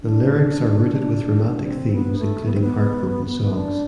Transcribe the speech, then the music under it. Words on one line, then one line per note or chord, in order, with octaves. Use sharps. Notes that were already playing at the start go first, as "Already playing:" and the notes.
The lyrics are rooted with romantic themes including heartbroken songs.
D4
C4
B3
A3
B3
C4
B3
B3
D4